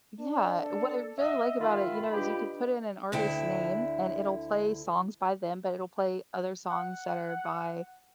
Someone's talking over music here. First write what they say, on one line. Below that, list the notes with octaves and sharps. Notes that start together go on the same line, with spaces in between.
Yeah, what I really like about it, you know, is you could put in an artist's name and it'll play songs by them, but it'll play other songs that are by,
D4
A4
D#5 E5 F#5 E6
D#3 F4 B5
D4 F4 G4 B4 D#5
D2 D3 E4 G5
F#5